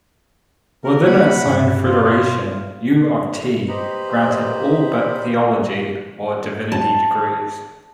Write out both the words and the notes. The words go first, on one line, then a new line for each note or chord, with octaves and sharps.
Within its own federation, U of T granted all but theology or divinity degrees.
A#4
A#3 F#5 B5
G2 B2
F4
G4 B4 C5 D#5 A#5 B5
A5